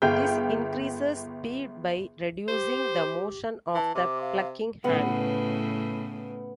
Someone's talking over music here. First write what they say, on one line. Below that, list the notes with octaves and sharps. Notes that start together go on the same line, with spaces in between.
This increases speed by reducing the motion of the plucking hand.
G1 G#4 F5 G5 G6
G4 C5
E3 A5
C3 D6
F5
A2 C#3 B3 F#5